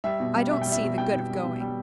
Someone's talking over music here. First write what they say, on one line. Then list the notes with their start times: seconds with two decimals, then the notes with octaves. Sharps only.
I don't see the good of going.
0.04 G3 E5
0.20 B2
0.35 G3
0.51 B2 E5
0.62 G3 G5
0.72 E5
0.82 B2
0.98 G3 G5
1.13 B2
1.30 G3
1.45 B2
1.60 G3